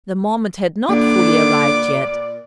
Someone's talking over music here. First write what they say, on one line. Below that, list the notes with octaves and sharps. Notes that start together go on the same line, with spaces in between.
The moment had not fully arrived yet.
A#2 D3 A#3 B3 D5 D6